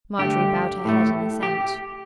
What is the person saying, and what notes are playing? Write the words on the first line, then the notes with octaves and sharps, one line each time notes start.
Marjorie bowed her head in assent.
G2 D3 A3 G4
A2 A3
G4